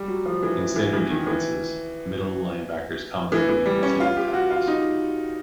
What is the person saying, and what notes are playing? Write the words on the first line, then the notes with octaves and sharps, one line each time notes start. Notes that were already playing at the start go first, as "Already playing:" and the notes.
In standard defenses, middle linebackers commonly lead the team in tackles.
Already playing: G3
F#3
F3
E3
E3
E3
E3
D#3
E3
E3
E3
G3
C#4
F4
G4
F#4
F4
D#4